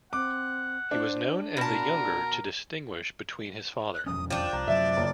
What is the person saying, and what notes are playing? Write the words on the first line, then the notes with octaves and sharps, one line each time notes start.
He was known as the younger to distinguish between his father.
C4 F#5 D6
D4 C5
B2 A#4 A5 A#5
F#6
E1 F2 C#4 D#6
F3 D4 G5
C2 A#5
F#2 C3 F#3 D5 E5
F#1